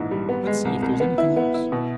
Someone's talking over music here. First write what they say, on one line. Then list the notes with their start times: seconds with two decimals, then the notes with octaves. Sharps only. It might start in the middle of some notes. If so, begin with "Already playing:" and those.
"Let's see if there's anything else."
Already playing: A#1 G#2 E3
0.11 G3
0.29 B3
0.47 G#3
0.65 C2
0.82 C2
1.00 B3
1.18 E4
1.36 B3
1.54 E4
1.72 B2